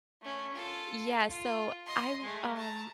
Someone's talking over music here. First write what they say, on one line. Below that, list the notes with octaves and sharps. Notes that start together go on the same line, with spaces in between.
Yeah, so I'm, um,
A3 C#4
F4 A4
F4
D#5 C6
G#3 A3
A5 A#5